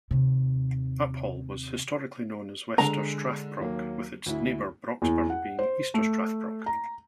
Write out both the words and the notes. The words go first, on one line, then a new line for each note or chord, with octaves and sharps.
Uphall was historically known as Wester Strathbrock, with its neighbour Broxburn being Easter Strathbrock.
D#2 C3
D3 G#3 A#5
D#2 F#3 A#3
D2 E4
E2
F#5
C5
A3
A#5